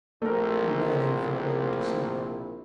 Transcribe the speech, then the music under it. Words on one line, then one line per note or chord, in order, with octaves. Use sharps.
'He ran in for a moment to see me....
A#1 A3 A#3 C4 E4 A#4